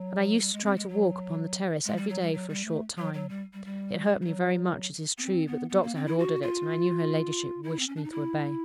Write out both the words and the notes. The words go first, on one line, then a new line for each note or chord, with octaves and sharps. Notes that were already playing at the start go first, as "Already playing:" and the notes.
And I used to try to walk upon the terrace every day for a short time: it hurt me very much, it is true, but the doctor had ordered it, and I knew her ladyship wished me to obey.
Already playing: F#3
G3
G#3
C4
G#3
F#3
G#3
G3
F#3
G3
F#3
G3
A3
F#3
F#3
G3
G3
G3
G3
F#3
B3
C4
B3
B3
A#3
C4
E4
F#4
F4
E4
C4
C#4
D4
D#4
E4